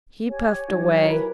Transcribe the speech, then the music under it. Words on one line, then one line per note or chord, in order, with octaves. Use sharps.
He puffed away.
G4 C#5 G#5
F#3 D#4 F#4
E4 A#4 B4 B5